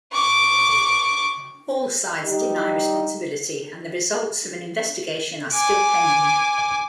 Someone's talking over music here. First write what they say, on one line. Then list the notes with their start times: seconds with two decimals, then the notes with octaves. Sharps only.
All sides deny responsibility and the results of an investigation are still pending.
0.13 C#6 D6
2.24 G3 D#4 G4
5.53 G#5 D6